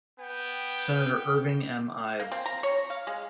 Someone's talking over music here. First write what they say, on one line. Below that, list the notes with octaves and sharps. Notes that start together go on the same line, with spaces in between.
Senator Irving M. Ives.
B3 G5
A#3
C4
A#5
C#5
F5
G#3